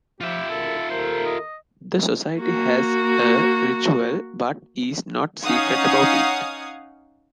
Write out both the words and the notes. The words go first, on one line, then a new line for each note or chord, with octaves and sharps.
The Society has a ritual, but is not secret about it.
F3 F4 G4 E5
F#1 D3 A4 A#4
D#2 A4 A#4 C5
D#5
A#3 F#4
C#4 D#4 F5 F#5 D#6 G#6